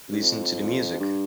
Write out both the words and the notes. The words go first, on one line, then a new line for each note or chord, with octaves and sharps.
Listen to the music...
G2
F2
G2